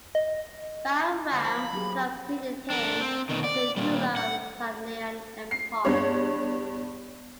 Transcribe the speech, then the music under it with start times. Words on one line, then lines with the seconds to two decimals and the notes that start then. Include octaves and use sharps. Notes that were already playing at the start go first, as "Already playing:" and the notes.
Bahram thus succeeded him as the ruler of the Sasanian Empire.
0.15 D#5
1.31 D3 G#3 C5
1.45 F3 A#3 B5
1.73 F#3 G4 G#4
2.70 D4 A#4
3.01 C4
3.29 B2 D#3
3.44 D5
3.77 A#2 G3
4.16 F#5
5.51 C7
5.85 E2 G2 C#5